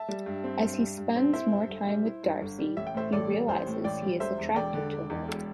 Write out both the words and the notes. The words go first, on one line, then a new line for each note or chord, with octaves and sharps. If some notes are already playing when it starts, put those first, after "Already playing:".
As he spends more time with Darcy, he realizes he is attracted to her.
Already playing: E5 A5
G3
G2
C4
G2
G3
G2
C4
E4 C5 E5
G2
G1
G3
E4
G2
G1
G3
A1 E5
G5
A2 C5 E5
A1 A4 D5
G3
A1 C5
A2
A1 D5 G5
G3
E1 C5 E5
E2
E1 D5 G5
D3
E1
E2
E1